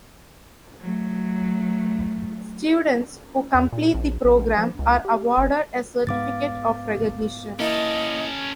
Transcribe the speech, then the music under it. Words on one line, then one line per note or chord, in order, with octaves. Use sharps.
Students who complete the program are awarded a certificate of recognition.
F#3 A3
E2
A#2
A#1
A#1
F3
C#2
G4
G1
G#2 B3 F5 D6 A6
A#3 C#4 E4 A4 D#5